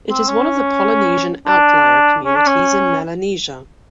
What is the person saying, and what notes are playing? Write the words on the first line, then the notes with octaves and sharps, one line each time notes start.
It is one of the Polynesian Outlier communities in Melanesia.
C4
C#4
D4
C#4
D4
C#4